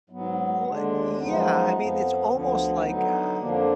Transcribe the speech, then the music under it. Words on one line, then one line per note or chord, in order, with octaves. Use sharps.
What Yeah, I mean, it's almost like, uh
G#2 F#3 B3
D#2 D3 G#3 D4
F#2 F3 G#3 B3 D#4
F2 F3 B3
D2 D3 F3 B3
D3 F#3 B3 D#4
F2 D3 F3 A#3 D4